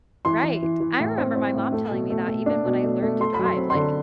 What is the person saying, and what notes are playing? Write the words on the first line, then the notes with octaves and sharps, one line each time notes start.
Right. I remember my mom telling me that even when I learned to drive, like,
E3 C6
E3
E3
E3
A2
C4
C4
A2
A3
B2
A3
A3
D4
B2
A3
A3
A3 C6
B5
F#3
C6
C4
D3 C6